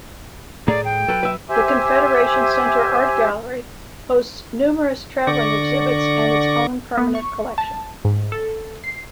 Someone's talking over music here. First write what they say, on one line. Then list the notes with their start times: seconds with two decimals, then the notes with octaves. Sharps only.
The Confederation Centre Art Gallery hosts numerous traveling exhibits and its own permanent collection.
0.68 A2 A3 G#4 D5 A#5
0.85 G5
1.08 F#3 A4 B4
1.23 B4 E5
1.50 G4 C5 E5 G#5
5.27 D3 D5 C#6 A#6
6.97 B3
7.15 C#6
7.58 A5
8.05 G#2
8.32 A4
8.84 C7